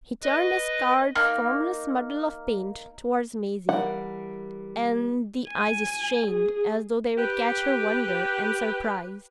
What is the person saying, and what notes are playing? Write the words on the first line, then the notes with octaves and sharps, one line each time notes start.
He turned a scarred formless muddle of paint towards Maisie, and the eyes strained as though they would catch her wonder and surprise.
B4 D#5
A#3 D#4
E3 G3 A#4 F#5
G#5
G#4
G4 B4